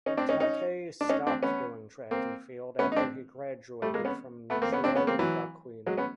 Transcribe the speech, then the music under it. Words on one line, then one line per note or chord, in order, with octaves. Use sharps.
Takei stopped doing track and field after he graduated from Chuo Gakuin.
C#4 D#4
C4 D4
C#4 D#4
C#4 D#4
D4
C#4 D#4
C4 D4
B3 C#4
A#3 C4
B3 C#4
D#4
C4 D4
G3 A3
G#3 A#3
B3 C#4
A3 B3
A#3 C4
B3 C#4
C4 D4
B3 C#4
A#3 C4
E3 F#3
F#3 G#3
B3 C#4